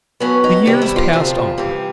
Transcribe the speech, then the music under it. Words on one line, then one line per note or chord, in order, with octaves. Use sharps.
The years passed on.
A2 F#3 B3 C#4
D#4
C3 D#3 G3 B3
E4
F4
D2 C3 F3 A3
C3 E3 G3